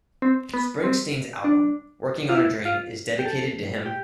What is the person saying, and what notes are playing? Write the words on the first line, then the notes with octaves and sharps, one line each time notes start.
Springsteen's album, "Working on a Dream", is dedicated to him.
C4
B3
C4
D4
F4
E4
F4
G4
A4
G4